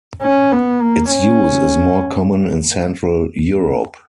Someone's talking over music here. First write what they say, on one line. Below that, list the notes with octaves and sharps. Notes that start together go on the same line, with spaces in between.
Its use is more common in Central Europe.
C#4
B3
A#3
C#4